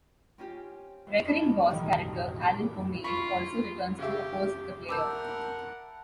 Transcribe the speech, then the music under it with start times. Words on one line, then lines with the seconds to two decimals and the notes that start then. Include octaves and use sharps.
Recurring boss character Allen O'Neil also returns to oppose the player.
0.38 C4 C#4 F4 G4
1.25 F4 D#5 A5 B5 D6
1.68 B1 A2 D#3 E3 G3
2.41 A#2 B5 D6 B6
3.04 F4 B5 C#6
3.99 C#3 G4 E5
4.89 A#4 E5 F#5 A5 B5 D6 E6 G6